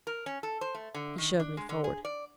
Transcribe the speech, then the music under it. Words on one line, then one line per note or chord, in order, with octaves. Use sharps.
He shoved me forward.
A#4
C#4
A4
C5
A3
D3
D#3
D4
G#3
D3
G#4
D5